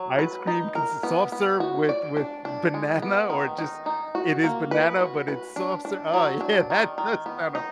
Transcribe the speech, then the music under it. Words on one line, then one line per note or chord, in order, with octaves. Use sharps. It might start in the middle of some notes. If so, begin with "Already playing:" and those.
Ice cream consists of soft serve with with banana or just it is banana, but it's soft serve oh, yeah. That does sound o
Already playing: F#3
B4
D#4
A#4
B3
B3
F#4
D5
D4
D4
G#3
B3
D#3
D#4
D#4
F#4
A#3
B4
F#4
B4
D4
D4
F#3
D4
D#3
D#3
B3
D#4